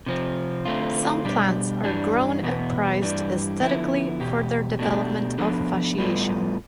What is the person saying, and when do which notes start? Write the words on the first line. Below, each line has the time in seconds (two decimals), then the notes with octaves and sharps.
Some plants are grown and prized aesthetically for their development of fasciation.
0.06 C3 F3 C4
0.65 D3 A3 C4 F4
1.24 B2 G3 D4 G4
1.84 G2 E3 G3 D4
2.43 E2 B2 B3
3.02 G2 E3 G3 D4
3.61 D3 F3 B3 E4
4.20 E2 B2 G4
4.79 B2 A3 D4 G4
5.38 F3 B3 D4 A4
5.98 A2 G3 B3 F4 A4